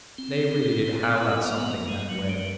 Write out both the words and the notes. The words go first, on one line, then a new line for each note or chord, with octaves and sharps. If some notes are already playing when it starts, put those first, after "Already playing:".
They really did howl out something in that way.
C4
B3
A#3
B3
A#3
G#3
F#3
G3